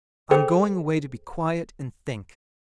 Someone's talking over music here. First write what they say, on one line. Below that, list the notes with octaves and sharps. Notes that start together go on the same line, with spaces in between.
I'm going away to be quiet and think.
G#4 A4 C5 G5